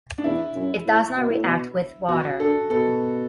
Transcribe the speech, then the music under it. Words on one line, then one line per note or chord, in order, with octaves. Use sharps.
It does not react with water.
D4
E2 E4
F#2
A2
B2
A2
B2
B2 F#4
D3 A4
B2 A4